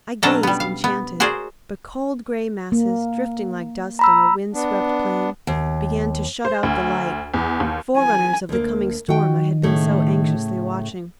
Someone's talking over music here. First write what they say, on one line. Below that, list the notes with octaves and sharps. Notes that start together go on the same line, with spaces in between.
I gazed enchanted, but cold gray masses, drifting like dust on a wind-swept plain, began to shut out the light, forerunners of the coming storm I had been so anxiously watching.
B2 F#3 C#4 D4 A4 A#5
G3 B3
F5
B3
F#4 G#4 A#4 C5 D5
A#3
A#5 B5 E6
B3 D4
D#2
C5
D2
E2
D#2
G#5
D2 A#3
D#3 F#4 G5
A2 C#3 A3